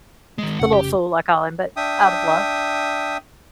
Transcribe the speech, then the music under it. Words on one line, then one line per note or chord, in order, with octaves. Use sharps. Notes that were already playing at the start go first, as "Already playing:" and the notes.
the little fool I call him, but out of love.
D#3 G#3
F1 C#3 C#4 F#5
G4
D4 E5 G5 D#6